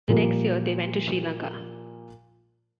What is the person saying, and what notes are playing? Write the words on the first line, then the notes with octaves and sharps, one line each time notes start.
The next year they went to Sri Lanka.
A#2 F3 G3 A#3